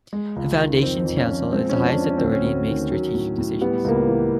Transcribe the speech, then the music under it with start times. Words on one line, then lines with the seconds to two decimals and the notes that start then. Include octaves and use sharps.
The Foundation Council is the highest authority and makes strategic decisions.
0.13 G#3
0.36 C#2
0.59 D#3
0.82 F2 C4
1.05 F2
1.17 C#4
1.29 F3
1.52 G#3 C4
1.69 C#4
1.75 F2
1.87 D4
1.99 F3
2.04 C#4
2.17 D2 C4
2.32 C#4
2.44 D2
2.68 D#3
2.91 F#3
3.14 A2
3.38 A2
3.61 G3 B3
3.84 C#2 A#3
3.96 B3
4.07 E3